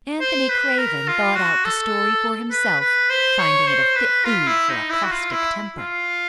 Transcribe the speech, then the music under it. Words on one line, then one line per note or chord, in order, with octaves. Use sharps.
Anthony Craven thought out the story for himself, finding it a fit food for a caustic temper.
C5
B4
A#4
F4
F#4
A4
B4
B4
C5
C#5
C5
B4
F4
E4
D#4
E4
F#4
F4
E4
F4